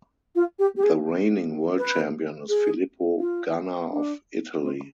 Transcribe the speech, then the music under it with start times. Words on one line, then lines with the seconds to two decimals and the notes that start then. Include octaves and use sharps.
The reigning World Champion is Filippo Ganna of Italy.
0.35 F4
0.58 G4
0.76 G4
0.83 G#4
1.77 B4
2.48 G#4
3.19 F4
3.90 D4
4.61 C4